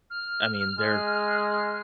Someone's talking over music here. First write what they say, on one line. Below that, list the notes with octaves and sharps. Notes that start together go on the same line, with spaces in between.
I mean, they're
F6
G#3